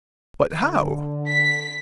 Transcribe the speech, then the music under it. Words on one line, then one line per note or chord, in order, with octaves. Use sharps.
"But how?"
D3
B6